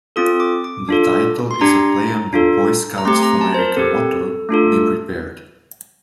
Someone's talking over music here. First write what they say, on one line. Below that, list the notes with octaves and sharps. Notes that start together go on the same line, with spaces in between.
The title is a play on the Boy Scouts of America motto "Be Prepared".
C4 F4 A4 D#6
D6
D6
D4 F4 A4
C6
D4 G4 A#5
D4 F4 A4
A#5
A3 C4 G4 C6
A#5
A5
C5
A#4
C4 G4 A4
A3 D4 F4 A4